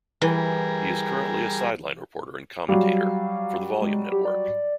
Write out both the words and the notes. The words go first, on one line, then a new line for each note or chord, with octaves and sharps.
He is currently a sideline reporter and commentator for the Volume Network.
E3 G3 G#4 A#4
F#3 G3 F5
G#3
G4
D5